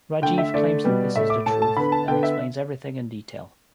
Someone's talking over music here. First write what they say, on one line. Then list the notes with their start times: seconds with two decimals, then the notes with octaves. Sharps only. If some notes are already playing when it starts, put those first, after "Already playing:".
Rajeev claims that this is the truth and explains everything in detail.
0.22 D3 A3 G5
0.38 E5
0.54 D3 A3 D5
0.84 B2 G3 B3
1.16 A2 A3 E5
1.30 D6
1.46 A2 A3 A5
1.62 A5
1.76 D3 B3 B5
1.92 A5
2.08 D3 B3 G5
2.23 E5